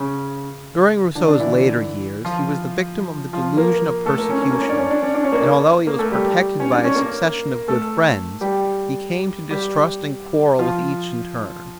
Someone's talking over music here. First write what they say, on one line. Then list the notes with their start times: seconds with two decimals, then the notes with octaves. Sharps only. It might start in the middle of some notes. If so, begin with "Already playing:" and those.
During Rousseau's later years he was the victim of the delusion of persecution; and although he was protected by a succession of good friends, he came to distrust and quarrel with each in turn.
Already playing: C#3 C#4
1.15 D3 D4
1.28 D3 D4
1.39 E3 E4
2.25 F3 F4
3.33 F3 F4
3.57 A#3 A#4
4.06 A3 A4
4.18 A#3 A#4
4.30 C#4 C#5
4.41 C#4 C#5
4.51 A#3 A#4
4.60 C#4 C#5
4.69 D4 D5
4.78 C#4 C#5
4.90 D4 D5
5.02 C#4 C#5
5.15 D4 D5
5.23 C#4 C#5
5.32 A#3 A#4
5.41 D4 D5
5.87 A#3 A#4
5.99 A3 A4
6.11 G3 G4
6.60 C#4 C#5
6.72 D4 D5
6.84 C#4 C#5
6.96 A#3 A#4
7.68 A3 A4
8.41 G3 G4
9.50 G3 G4
10.59 F3 F4